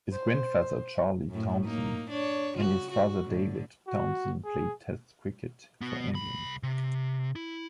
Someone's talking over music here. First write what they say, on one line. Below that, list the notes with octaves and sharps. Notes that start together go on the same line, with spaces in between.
His grandfather Charlie Townsend and his father David Townsend played Test cricket for England.
C5
F#2 A2
A#3 D#4
D4 C#5
C#3 F#4
F#4
A2 D3
F#4
G#4
B3 F#4
C2 B5
C3
E4